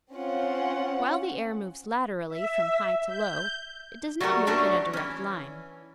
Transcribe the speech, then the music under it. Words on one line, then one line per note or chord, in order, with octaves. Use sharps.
While the air moves laterally from high to low, it does not move in a direct line.
C4 C#4 F4 F#5
E5
G6
F#3 G3 A3 F#4 A#4
F#3 G3 A3 C#4 D4 F#4
E3 C#4